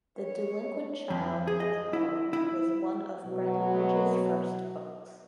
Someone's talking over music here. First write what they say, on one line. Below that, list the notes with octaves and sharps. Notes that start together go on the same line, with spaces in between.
"The Delinquent Child and the Home" was one of Breckinridge's first books.
C#5
F2
G#4
D#5
E4
E4
B2 F#3